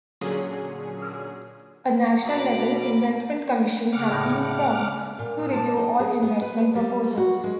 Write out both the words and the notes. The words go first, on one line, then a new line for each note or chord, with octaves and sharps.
A national investment commission has been formed to review all investment proposals.
A#2 D3 F#3 C#4 G#4
B2 A#5 B5 D6
C#3 F#5 D6 F6
D2 A2 D#4
A#2
A5
D#4
G#4
B3
B4
G3
F#4
G#3